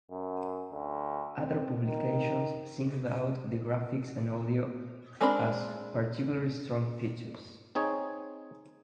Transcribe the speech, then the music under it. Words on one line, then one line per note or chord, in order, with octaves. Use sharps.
Other publications singled out the graphics and audio as particularly strong features.
F#2
D2
C4
D#3
G#3 C4 D4 A#4 B5
C4 D#4 G#4 C#5